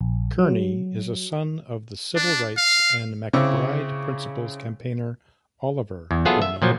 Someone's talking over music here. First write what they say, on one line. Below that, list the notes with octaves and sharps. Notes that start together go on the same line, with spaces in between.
Kearney is a son of the civil rights and MacBride Principles campaigner Oliver Kearney.
A#1
F#3
D4
F5
C#3 C4 E4 C#6 D6 E6
E2
F#3 B3 F4 G#4 A4 E5
E5
A#2 F3 F#3